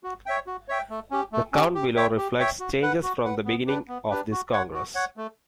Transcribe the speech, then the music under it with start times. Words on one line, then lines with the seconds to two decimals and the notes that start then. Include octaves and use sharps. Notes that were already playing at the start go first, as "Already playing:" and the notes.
The count below reflects changes from the beginning of this Congress.
0.04 F#4
0.26 C#5 E5 G5
0.47 F#4
0.68 C#5 E5 G5
0.90 A3
1.11 C#4 G4
1.32 A3
1.53 C#4 G4
1.75 G4
1.96 C#5 E5 G5
2.18 G4
2.39 C#5 E5 G5
2.60 F#4
2.82 B4 F#5
3.03 F#4
3.25 B4 F#5
3.45 B3
3.67 D4 G4 B4
3.88 B3
4.10 D4 G4 B4
4.31 F#4
4.53 C#5 F#5
4.74 F#4
4.95 C#5 F#5
5.17 A3